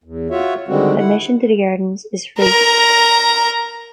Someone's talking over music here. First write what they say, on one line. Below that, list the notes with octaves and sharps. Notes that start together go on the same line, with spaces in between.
Admission to the gardens is free.
E2
F4 F#4 C#5 E5
D3 D#3 G3 G#3 C4 F#4
E4 F#5
A#4 A#5